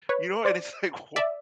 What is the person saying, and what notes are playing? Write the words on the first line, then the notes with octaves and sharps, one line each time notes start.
You know, and it's like, wha
B4 C#5
C5 D5
D5 E5